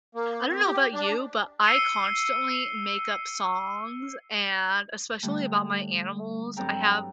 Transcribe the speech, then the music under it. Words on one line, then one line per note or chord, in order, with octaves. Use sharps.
I don't know about you but I constantly make up songs and especially about my animals. I have
A#3
C4
G4
D4
E6 C7 C#7 D#7 G7
D3 G3 A3
G2 F#3 C4 A4 G5 A#5